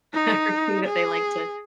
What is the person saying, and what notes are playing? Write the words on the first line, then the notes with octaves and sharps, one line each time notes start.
everything that they like to
D#4
G#4